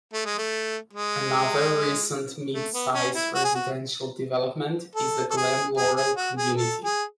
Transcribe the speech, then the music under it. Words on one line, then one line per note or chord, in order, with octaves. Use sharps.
Another recent mid-size residential development is the Glen Laurel community.
A3
G#3
A3
G#3
A3
B3
C#4
E4
F#4
G#4
F#4
A4
A4
G#4
G#4
G#4
F#4
G#4
A4
G#4